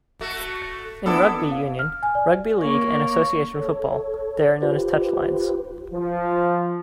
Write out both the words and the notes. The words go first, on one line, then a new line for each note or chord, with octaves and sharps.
In rugby union, rugby league and association football, they are known as touch-lines.
A3 F#4
B3 D4 E4 A4 B4
F5
F6
G#5
D5
A#3 C#5
A4 C#5
F4 G4 B4 C5
F3